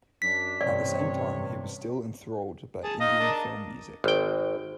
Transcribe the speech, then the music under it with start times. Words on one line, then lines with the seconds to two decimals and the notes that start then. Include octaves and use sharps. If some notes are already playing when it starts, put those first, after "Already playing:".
At the same time, he was still enthralled by Indian film music.
0.22 F#2 D4 B6
0.61 A1 G2 C3 C#5 D5
2.84 G#4 A5
3.00 D#4 D#5 F5
3.20 D4 A#4 A5
4.04 G#1 G5